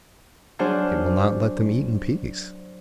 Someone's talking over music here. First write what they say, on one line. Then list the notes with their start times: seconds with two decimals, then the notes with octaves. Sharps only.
It will not let them eat in peace.
0.59 F#3 D4 G#4 C5 F#5 F6